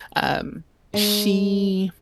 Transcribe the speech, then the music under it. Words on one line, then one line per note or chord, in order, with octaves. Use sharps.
Um, she
G#3